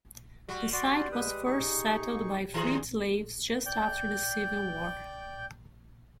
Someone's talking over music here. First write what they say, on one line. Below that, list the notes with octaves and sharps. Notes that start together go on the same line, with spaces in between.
The site was first settled by freed slaves just after the Civil War.
G3 F#4
F#4 D5 C6
G#3 B4 D#6
D#4 G#4 C#6
D#3 G#4 A#5 C6
D5 G5 G6